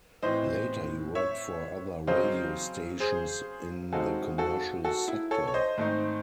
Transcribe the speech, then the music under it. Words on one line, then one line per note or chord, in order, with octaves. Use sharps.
Later, he worked for other radio stations in the commercial sector.
A2 E3 C4 C5 D#5
C#5 E5
C#3 F#3 C4 C5 D#5
G#4 C5
C#3 G#3 C4 D#4 F#4 A4
F#4 A4
F#4 A4
E4
A4 C#5
C#5
C5 D#5
G#2 D#3 A3 C4 D#4